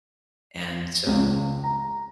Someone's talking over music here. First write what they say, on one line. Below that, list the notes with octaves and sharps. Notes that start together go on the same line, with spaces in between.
And so
C#2
A#5